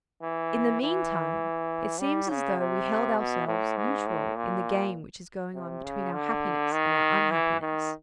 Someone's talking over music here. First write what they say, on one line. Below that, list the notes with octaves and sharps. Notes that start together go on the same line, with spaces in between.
In the meantime, it seems as though we held ourselves neutral in the game which is going on between our happiness and our unhappiness.
E3
E3
G3
C#3
C3
B2
A2
G#2
A2
A#2
C3
C#3
D3
D#3
E3
D#3